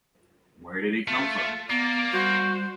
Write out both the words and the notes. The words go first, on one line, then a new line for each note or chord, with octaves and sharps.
Where did he come from?
A3 F4
A#3 B3 D5
G3 F#4 C5